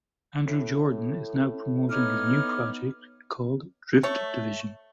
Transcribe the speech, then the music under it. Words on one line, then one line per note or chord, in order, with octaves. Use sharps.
Andrew Jordan is now promoting his new project called "DriftDivision".
A2
B3 D#4 C#5 D6 F6
A3 C#5